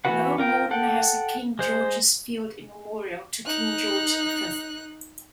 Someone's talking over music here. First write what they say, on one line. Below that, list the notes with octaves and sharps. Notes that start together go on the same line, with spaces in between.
Lower Morden has a King George's Field in memorial to King George the Fifth.
E3 B3 F#4 B4 F#5
F4 A#4 G5
A4 F#5 G5
G#3 C5
D#4 F#6